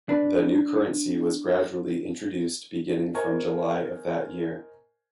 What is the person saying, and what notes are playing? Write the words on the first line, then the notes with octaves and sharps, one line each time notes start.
The new currency was gradually introduced beginning from July of that year.
D4 B4
A#4 C5 D#5 G#5 C#6 G#6